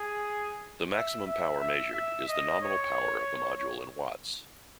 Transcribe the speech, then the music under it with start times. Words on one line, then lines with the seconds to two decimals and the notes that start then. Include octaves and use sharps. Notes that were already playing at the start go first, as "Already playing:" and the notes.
The maximum power measured is the nominal power of the module in Watts.
Already playing: G#4
0.93 E5
1.26 E5
1.60 E5
1.94 E5
2.28 D#5
2.62 C#5